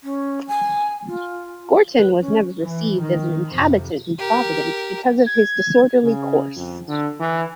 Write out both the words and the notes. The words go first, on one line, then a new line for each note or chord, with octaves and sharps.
Gorton was never received as an inhabitant in Providence because of his disorderly course.
C#4
G#5
F4
B4
C#4
E3
D#3
F2 C3
G4 A#4
G#6
C#3
F2
D3
E3